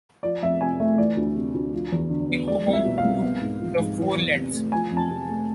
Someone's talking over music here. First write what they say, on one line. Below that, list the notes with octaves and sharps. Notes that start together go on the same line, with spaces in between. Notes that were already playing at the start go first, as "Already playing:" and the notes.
They go home to the Four Lands.
F3 D5
F2 E5
C3 G#5
A3 E5
E3 D5
D2
C3
D2
F3
E2
D3
B3
G#3 D5
C2
E5
B2
F5
C2
B3
G#2
F3
G#2
E3
E2
C3
A3
F3 G#5
F2
A5
C3
A3